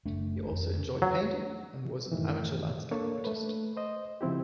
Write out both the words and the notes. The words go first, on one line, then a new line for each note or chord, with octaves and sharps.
He also enjoyed painting and was an amateur landscape artist.
F#1 A3 D4
F2
F#3
F#2 A2 D#3 E3
A#3 D4 A4 C#5
A3 B4
C5 D#5
C#3 F3 C4 E4 G4